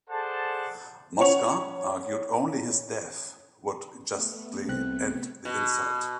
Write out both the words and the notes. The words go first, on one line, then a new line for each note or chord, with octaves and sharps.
Mosca argued only his death would justly end the insult.
G#4 A4 C5 D5 F#5 A5
C#4 C#5 F#5 C#6 F7
A3 B3
C2 C4 F#6
B2